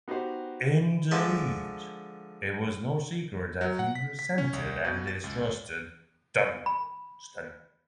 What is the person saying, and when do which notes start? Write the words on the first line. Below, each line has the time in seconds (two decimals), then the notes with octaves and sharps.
Indeed, it was no secret that he resented and distrusted Dunstan.
0.08 B3 D#4 F#4 G4 C5
1.11 D3 F3 G#3 E5 A5
3.61 F#3
3.79 F#5
3.95 B6
4.19 B6
4.38 C#4
4.53 C2
4.85 B2
5.07 A6
5.24 C#2
6.66 B5